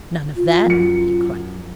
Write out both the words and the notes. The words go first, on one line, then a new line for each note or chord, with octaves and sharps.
"None of that," he cried.
F4
F#2 F#4 C#7